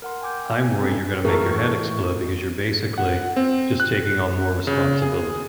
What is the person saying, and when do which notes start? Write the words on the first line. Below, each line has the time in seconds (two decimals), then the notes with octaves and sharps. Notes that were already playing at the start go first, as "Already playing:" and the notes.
I'm worried you're gonna make your head explode because you're basically just taking on more responsibility
0.02 A#4 F#5 C6
0.21 G5 G#5 D6 G6
0.63 C4 G#5
0.79 C4 C#4 D#4 A4
1.25 A2 E3 A3 G#4 A#4 C#6
2.98 F#5
3.36 C4
3.80 F#6
4.67 C#3
5.02 G#4